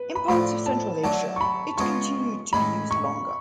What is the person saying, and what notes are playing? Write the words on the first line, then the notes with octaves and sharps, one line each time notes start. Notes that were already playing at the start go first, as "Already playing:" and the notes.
In parts of Central Asia, it continued to be used longer.
Already playing: B4
B5
A2 F3 A3 D4 B5
A5
D3 F#3 A3 D4 A5
C#6
B5
C#3 G#3 B3 F4 C#6
A2 G#3 C#4 B5
C#6